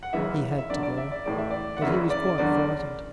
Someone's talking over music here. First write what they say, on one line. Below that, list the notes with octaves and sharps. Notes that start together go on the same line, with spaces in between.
He had to go, but he was quite frightened.
F#5
F#1 F#2 C#3 E3 E5
E5
F#1 E2 D3 D5
D5
E5
D5
A1 A2 E3 D5
E5
D5
F#5
F#1 F#2 C#3 E3 E5
D5
F#1 E2 D3 D5